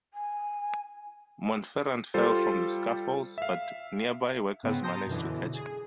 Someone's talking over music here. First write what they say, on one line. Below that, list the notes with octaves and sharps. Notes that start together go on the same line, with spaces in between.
Montferrand fell from the scaffolds, but nearby workers managed to catch him.
G#5
G3 F4 A4 C5
E5 F5
G#2 C#3 B3 C4
A5 A#5 C6 D#6 G6 A#6
F#2 B2 D3 E3
G#4